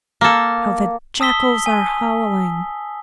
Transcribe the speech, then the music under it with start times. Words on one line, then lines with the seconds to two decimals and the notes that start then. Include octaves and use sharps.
How the jackals are howling....
0.21 A#3 A4
1.20 A5 D#6 E6 B6 G7
1.66 G#5